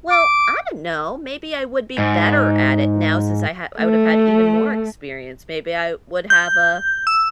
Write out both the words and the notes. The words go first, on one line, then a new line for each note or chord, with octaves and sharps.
Well, I don't know, maybe I would be better at it now since I ha I would've had even more experience, maybe I would have a
D6
G#2
A3
G6
E6